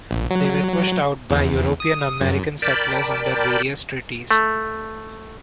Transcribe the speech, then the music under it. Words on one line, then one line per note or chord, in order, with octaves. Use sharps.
They were pushed out by European-American settlers under various treaties.
A#1
F#3
E2
D#6
F#2
A#4 D5 G5 A5 B5
A3